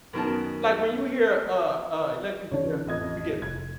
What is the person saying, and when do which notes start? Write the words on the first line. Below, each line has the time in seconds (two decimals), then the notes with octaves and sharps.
like when you hear, uh, uh, Electric Chair, you get
0.13 F#2 B2 D#3 A#4 A5
2.52 C#3 E3 D4 C#5
2.87 A1 F2 D#5 G#6
3.42 F1 G#6